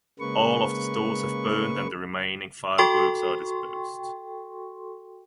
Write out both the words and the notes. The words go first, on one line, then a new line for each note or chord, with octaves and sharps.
All of the stores have burned and the remaining fireworks are disposed.
C#3 G#3 A#3 B4 C#6
F#4 A4 G5 C6 C#6